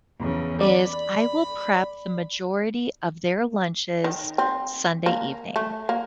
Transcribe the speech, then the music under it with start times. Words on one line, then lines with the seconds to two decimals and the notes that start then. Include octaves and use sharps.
is I will prep the majority of their lunches Sunday evening.
0.19 E2 C#3
0.61 D5 B5
4.04 D#3
4.38 C4
5.06 A#3
5.56 A3
5.89 A#3